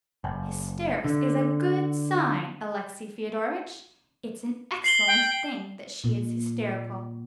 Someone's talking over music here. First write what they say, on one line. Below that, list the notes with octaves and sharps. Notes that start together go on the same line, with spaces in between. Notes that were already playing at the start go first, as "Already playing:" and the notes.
Hysterics is a good sign, Alexey Fyodorovitch; it's an excellent thing that she is hysterical.
F#1
D3
C7 F#7 G7
G5
A#2